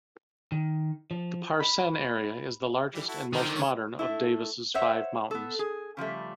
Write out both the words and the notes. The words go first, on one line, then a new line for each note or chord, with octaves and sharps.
The Parsenn area is the largest and most modern of Davos' five mountains.
D#3
F3
B5
E3 G3
E4 F#4 A4
D3 D#3 C4 A#4 C5
C#5
A3 E4
C5 C#5 E5 F#5
B3 A4
G#4
C#3 F3 G3 A3